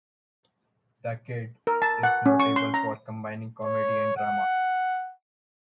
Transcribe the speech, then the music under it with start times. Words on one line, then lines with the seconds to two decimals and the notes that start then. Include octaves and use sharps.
"The Kid" is notable for combining comedy and drama.
1.67 A#4
1.82 A5
2.03 F#5
2.26 C#4
2.40 C#6
2.56 C6
2.74 A#5
3.65 C#5
4.18 F#5